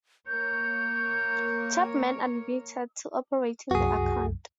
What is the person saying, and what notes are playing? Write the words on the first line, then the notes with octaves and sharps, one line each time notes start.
Chapman admitted to operating the account.
A#3 A#4 C#5 G6
C2 F#2 F#4 G#4